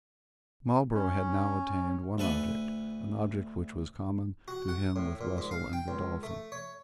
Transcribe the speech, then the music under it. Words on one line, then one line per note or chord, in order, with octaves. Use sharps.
Marlborough had now attained one object, an object which was common to him with Russell and Godolphin.
C#4
D2 A4 B4 G#5
F#4
F#5
A2
A#2
G#2
F5
G5
C#2
A3
C#5